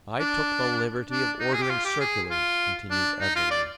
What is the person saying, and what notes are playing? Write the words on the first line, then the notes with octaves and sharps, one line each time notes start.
"I took the liberty of ordering circulars," continued Everley.
D4
D4
D#4
G#4
G4
F4
G4
G#4
F4
D4
D#4
F4
D5